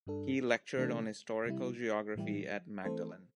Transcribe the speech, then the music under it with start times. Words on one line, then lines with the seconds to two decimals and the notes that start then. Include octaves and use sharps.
He lectured on historical geography at Magdalen.
0.07 G2 G3 D4 A4
0.77 C3 E3 A3 D4 A4
1.46 C3 G3 E4
2.15 A2 E3 G3 E4 G4
2.85 E3 A3 C4 A4 C5